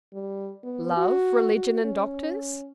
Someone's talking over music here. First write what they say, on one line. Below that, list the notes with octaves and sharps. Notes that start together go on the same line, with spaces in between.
'Love, religion and doctors!
G3
B3
F#4
F#4
C#4